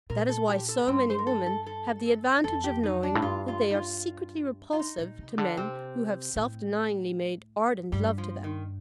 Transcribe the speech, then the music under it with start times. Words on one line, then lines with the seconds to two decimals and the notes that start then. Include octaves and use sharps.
That is why so many women have the advantage of knowing that they are secretly repulsive to men who have self-denyingly made ardent love to them.
0.10 A#2 A#4
0.29 A4
0.49 G4
0.69 A4
0.87 G2 C4
1.10 C5
1.18 A#4
1.27 A4
1.46 A4
1.66 A4
2.44 F2 A4
2.64 G4
2.83 D#4
3.03 D4
3.15 A2
3.22 G2 F4
3.48 F4
3.71 D#4
3.75 F4
4.73 F4
4.79 D#4
4.98 A#2
5.19 C3
5.38 D3
5.57 C3 C4
6.36 A2
7.92 G2 G3
8.18 F3
8.44 D#3